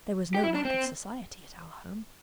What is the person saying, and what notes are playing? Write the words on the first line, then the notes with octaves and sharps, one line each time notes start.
There was no lack of society at our home.
G4
E4
D4
C4